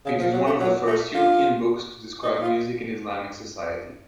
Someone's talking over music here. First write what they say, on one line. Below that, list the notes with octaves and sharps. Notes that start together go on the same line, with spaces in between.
It is one of the first European books to describe music in Islamic society.
C#3
F3
F#3
A3
F#3
A3
F4
D#4
D#4
F4